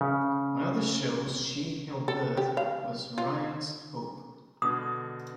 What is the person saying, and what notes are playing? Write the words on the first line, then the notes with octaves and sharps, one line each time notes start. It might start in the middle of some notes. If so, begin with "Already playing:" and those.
One of the shows she helped birth was "Ryan's Hope".
C#3
A4
G4
F5
F4
B2 D3 D#6